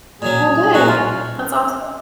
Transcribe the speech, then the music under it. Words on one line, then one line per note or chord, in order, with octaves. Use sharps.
Oh, good, that's awesome.
A#2 F#3 C#4 G#4
A#2 F#3 C#4 F#4
F4